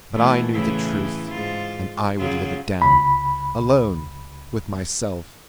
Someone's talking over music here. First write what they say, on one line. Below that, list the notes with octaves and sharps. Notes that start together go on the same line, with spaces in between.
But I knew the truth, and I would live it down--alone, with myself.
B2 E3 A3
A2 C#3 E3
G#2 F4
C#3 F#3 F4
C#2 B5